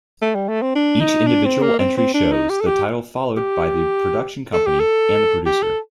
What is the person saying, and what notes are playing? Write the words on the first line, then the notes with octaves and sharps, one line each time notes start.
Each individual entry shows the title followed by the production company, and the producer.
A3
G3
A3
C4
D4
D#4
D4
C4
A#3
C4
C4
D4
D#4
G4
A4
G4
G4
A4
G4
A4
G4
A4